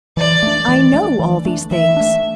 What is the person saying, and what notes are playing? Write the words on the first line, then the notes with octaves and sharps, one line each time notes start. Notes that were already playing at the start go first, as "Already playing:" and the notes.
I know all these things.
E3 D5
A3 D4
E3
A3 D4
E3
A3 D4
E3 E5
A3 D4